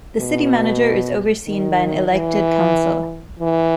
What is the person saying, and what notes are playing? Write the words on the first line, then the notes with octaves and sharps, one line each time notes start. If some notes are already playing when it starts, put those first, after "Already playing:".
The City Manager is overseen by an elected Council.
B2
D#3
E3
E3